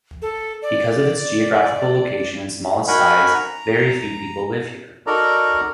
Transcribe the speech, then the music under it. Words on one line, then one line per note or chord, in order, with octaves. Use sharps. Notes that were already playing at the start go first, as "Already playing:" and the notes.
Because of its geographical location and smallest size, very few people live here.
A4
D5
D#4 F#4 A#4 F#5 G#5 B5
A#5
D#4 F#4 A4 A#4 D5 A#5